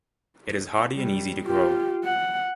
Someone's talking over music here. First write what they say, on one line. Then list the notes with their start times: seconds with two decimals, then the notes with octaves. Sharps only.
It is hardy and easy to grow.
0.96 G3
1.46 F4 G4
2.05 F#5